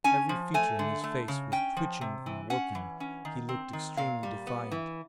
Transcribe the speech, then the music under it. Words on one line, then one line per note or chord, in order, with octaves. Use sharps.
Every feature in his face was twitching and working; he looked extremely defiant.
C#4 G#5
F3
A3 G#5
D3
A3
C#3
C#4 G5
F3
C3
E3
C#4 F#5
E3
C#4
D#3
C4
D#3
A#2 F5
G3
B3
E3